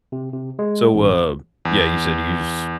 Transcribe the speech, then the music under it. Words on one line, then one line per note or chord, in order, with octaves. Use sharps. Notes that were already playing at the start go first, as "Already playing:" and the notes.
So, uh, yeah, you said you use
C3
C3
G#3
A1
E2